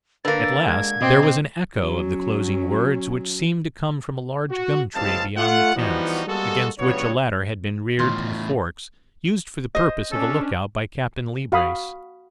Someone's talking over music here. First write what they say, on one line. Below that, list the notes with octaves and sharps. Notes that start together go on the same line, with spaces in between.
At last there was an echo of the closing words which seemed to come from a large gum tree beyond the tents, against which a ladder had been reared to the forks, used for the purpose of a look-out by Captain Leebrace.
D3 A#3 B4 A6
G#3 G#6
B2 C4 D#5 D6
F#3 C#4
F#4
F#1 C#2 G#3 C4 F5 A5
A3 F4 F#5
E3 F3 G3 B3 D#4 F#4
G3 G#3 A#3 B3 F#4 A4
C#2 G2 F#3 B3 C#5
E2 A2 D#3 F4
C5 D#5
C#4 D4 A4
F#4 F5 B5 D#6